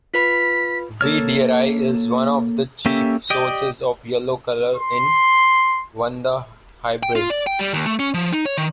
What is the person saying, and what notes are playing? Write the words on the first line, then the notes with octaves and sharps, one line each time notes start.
"V. dearei" is one of the chief sources of yellow color in "Vanda" hybrids.
F4 B4 B5 B6
A#3 A4 C#5 F6
A#3 C#4 G4 A4 E5
G4 D5 D#5 G5
C6
G5
F4
D5
G5
G3
D#2
A3
C#4
F3
D#4
C#5
D#3